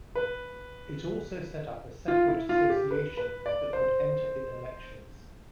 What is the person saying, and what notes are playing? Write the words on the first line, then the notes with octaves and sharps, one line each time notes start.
It also set up a separate association that could enter in elections.
B4
F4
E4
F4
G4
B4
B4
D5
C5